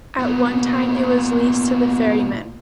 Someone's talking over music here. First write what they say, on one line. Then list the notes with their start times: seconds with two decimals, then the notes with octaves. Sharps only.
At one time it was leased to the ferrymen.
0.19 A#2 B3